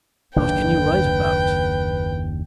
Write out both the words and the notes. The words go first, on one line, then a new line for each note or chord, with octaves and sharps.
What can you write about?
F#1 D#2 D4 B4 G5